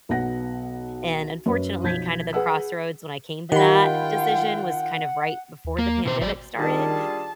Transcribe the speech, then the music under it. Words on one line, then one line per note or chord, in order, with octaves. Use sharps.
And, unfortunately, kinda the crossroads when I came to that decision was kind of right before the pandemic started.
B1 B3 F#5 A#6
F#2 B4
B1 F3 G6 G#6 B6
G#4 B4 F#5 E6
D#3 F4 G4 F#5 G5 B5
D#2
A#3
B2 C5
G#1 F#3 D5
D#3 G3 D4 F4 G#4 A5